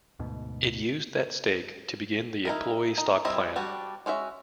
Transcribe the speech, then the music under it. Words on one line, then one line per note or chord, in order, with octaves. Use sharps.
It used that stake to begin the employee stock plan.
D2 G#2 B2
D#4 E4 A#4
D#4
G3 C4 E4 D#5 E5
G3 D4 F#4
G#3 C#4 F#4 E5